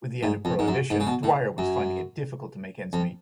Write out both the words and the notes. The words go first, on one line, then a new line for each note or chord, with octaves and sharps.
With the end of Prohibition, Dwyer was finding it difficult to make ends meet.
G#2
F2
G#2
F#2
G#2
C#3
B2
A2
F#2
F2